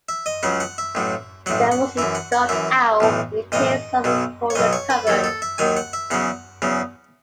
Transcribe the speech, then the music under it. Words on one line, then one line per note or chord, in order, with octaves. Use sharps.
There was a stuffed owl in a case over a corner cupboard.
E5
D#5
C#2 C#3 F#3 F#5
F#5
E5
A1 A2 F#3
A1 A2 F#3 F#5
F#5
F#2 E3 E5
F#5
F#5
F#2 E3 E5
B1 A2 E3
B1 A2 E3 D#5
B1 B2 F#3
C#5
B1 B2 F#3 D#5
C#5
B4
D#2 D#3 F#3 A4
A4
E5
D#2 D#3 F#3 G#5
F#5
E5
E2 C#3 F#3 F#5
E2 C#3 F#3